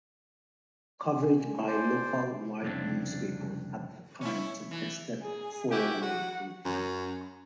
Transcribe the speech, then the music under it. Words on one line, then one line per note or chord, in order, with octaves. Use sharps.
Coverage by local white newspapers at the time suggested the four were guilty.
G#5
C5 D5
C2 F2 A2 C#3 C4 D4
C#4 E4
E3
G#4
E4 F#4 G4 G#5
F#4 F#5
F#2